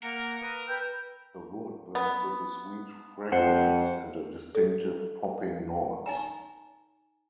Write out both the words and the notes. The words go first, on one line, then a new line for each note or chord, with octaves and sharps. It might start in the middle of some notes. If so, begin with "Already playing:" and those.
The wood burns with a sweet fragrance and a distinctive popping noise.
A#3 A#4 F#5 A#5
B4 A#5 D#6
B4 G5 E6 G6
B3
F2 C5 F#5
A4
D#4 G#5 A#5